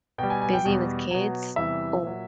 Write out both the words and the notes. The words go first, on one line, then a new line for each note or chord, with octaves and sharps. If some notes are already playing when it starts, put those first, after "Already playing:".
busy with kids or
B2 G3 G5
G#5
G#5
G5
E2 B2 G3
B2 F#3
E2 C3 E3 G3 E5
A#2 F#3